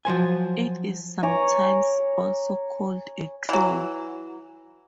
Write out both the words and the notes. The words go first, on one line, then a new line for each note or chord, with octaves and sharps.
It is sometimes also called a "throw".
F3 F#3 C5 G#5
C#5 G#5 A#5 D6
E3 F#3